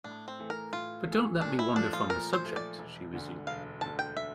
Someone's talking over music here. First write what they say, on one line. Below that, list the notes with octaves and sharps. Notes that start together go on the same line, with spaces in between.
"But don't let me wander from the subject," she resumed.
A2 D4
C4
E3 A3
A#4
A2 F4
E3 A3
A#2 D4
E4
F3 A3 D4
F4
A#2 A#4
C5
F3 A3
D5
E1
D2 D3
E1 F5
D2 D3 A5
G5
E5